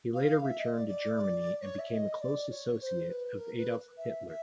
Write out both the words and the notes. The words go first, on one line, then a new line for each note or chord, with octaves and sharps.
He later returned to Germany and became a close associate of Adolf Hitler.
F5
E5
D#5
D5
D5
C#5
E5
D#5
D5
C#5
C#5
C5
B4
A#4
B4
E5
E5